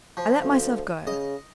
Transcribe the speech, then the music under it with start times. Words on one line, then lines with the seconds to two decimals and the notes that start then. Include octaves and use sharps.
I let myself go.
0.17 F3
0.43 D2
1.07 C#3 D#5